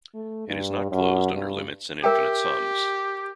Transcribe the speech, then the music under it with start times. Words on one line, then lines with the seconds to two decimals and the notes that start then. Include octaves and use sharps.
It is not closed under limits and infinite sums.
0.14 A3
0.48 G2
0.91 F#2
1.34 G2
2.04 G4 A#4 E5 G5